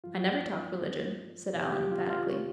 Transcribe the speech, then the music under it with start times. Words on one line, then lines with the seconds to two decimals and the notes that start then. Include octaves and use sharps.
"I never talk religion," said Alan emphatically.
0.04 G2 F3 F4
1.54 F2 C3 D#3 G4
1.72 G4
1.91 F4
2.10 F4
2.29 C#5